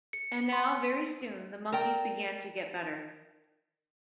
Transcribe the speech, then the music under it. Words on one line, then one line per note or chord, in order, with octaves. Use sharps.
And now very soon the monkeys began to get better.
C#7
C6
A#4 D5 G5